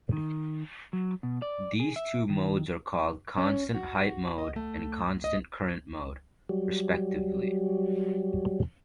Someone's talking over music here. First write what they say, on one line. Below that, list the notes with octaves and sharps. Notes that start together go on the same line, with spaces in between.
These two modes are called constant height mode and constant current mode, respectively.
D#3
F#3
B2
D5
G#4
E5
D#3
C#4
F#4
D#5
A3
D#5
F#3 G3